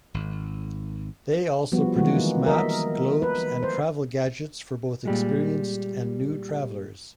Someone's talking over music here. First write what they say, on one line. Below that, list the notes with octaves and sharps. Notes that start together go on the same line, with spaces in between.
They also produce maps, globes and travel gadgets for both experienced and new travelers.
G#1
F3 G3 B3 F#4
D#3 E3 G#3 A#3 F#4
A#4 D#5 E5
B4
C5
A#2 G3 G#3